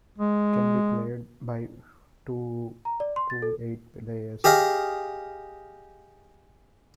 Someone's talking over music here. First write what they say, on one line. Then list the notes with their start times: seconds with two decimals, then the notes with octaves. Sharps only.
It can be played by two to eight players.
0.18 G#3
2.85 A#5
3.00 D5
3.16 C6
3.30 A6
3.42 A4
4.44 G4 G#4 D#5 F5